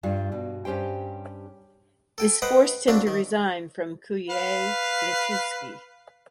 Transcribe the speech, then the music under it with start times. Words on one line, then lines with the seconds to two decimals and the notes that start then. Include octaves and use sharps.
This forced him to resign from "Kurier Litewski".
0.03 G2 G3 F4
0.32 G2 B2
0.65 G2 C#4 G4 C5 G5
2.18 A4 G5 G#5
2.42 B4 C5 D#5 F#5 G5
2.88 F#3 A#3 C4 D4
3.07 D#3
4.30 B4 F5